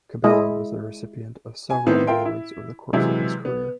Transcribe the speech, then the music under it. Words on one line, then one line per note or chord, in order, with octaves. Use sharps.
Cabela was the recipient of several awards over the course of his career.
G#3 E4 D#5
G#5
A2 D#3 B3 C4
F4 A#4 E5 G5 C6
E4
C3 E3 F#3 G#3 E4
B3